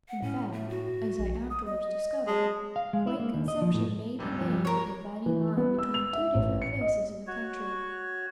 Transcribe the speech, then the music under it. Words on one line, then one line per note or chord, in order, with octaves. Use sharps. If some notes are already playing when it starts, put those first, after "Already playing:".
In fact, as I afterwards discovered, Point Conception may be made the dividing line between two different faces of the country.
F#5
A2 C#4
A3
F#4
A#1
D#6
D#5
G#3 A5
F5
G#3
E4
A#3
D#2
D#5
F3
A2
D1 G2 C3
F3
A#4 C#5
E3
B3
E6
F7
E5
A1
C#7
D#5
F#4 C#5